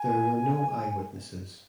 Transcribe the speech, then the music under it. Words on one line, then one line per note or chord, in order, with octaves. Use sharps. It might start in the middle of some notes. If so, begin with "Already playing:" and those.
There were no eyewitnesses.
Already playing: G#5